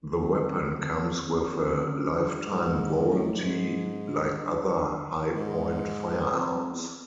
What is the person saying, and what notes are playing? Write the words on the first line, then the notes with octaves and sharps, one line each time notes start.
The weapon comes with a lifetime warranty like other Hi-Point firearms.
F2
F2
F#2
G2
G#2
A2
G2
G#2
G2
G#2
F2
E2